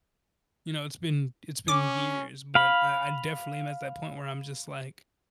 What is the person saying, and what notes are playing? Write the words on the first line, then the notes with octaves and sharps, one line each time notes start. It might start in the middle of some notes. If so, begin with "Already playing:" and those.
You know, it's been it's been years, but I I definitely am at that point where I'm just, like,
C#4 D6
F5 B5